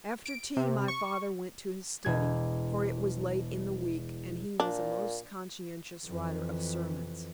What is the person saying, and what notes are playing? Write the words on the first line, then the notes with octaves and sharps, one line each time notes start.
After tea my father went to his study, for it was late in the week, and he was a most conscientious writer of sermons.
D7
C3
C#6
E1 G#6
A#2 D4
F2 E3